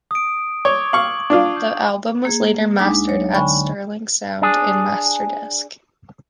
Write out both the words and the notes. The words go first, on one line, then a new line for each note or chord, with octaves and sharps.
The album was later mastered at Sterling Sound and Masterdisk.
D#6 D7
C#5 C#6 D6 G#6
F5 C#6 F#7
D4 F4
G6
A#3 G#4
D2 G#3 D4 D#4 D6
F#3 C#5
D3 G5 G#5 B5 C#6
D4 G#4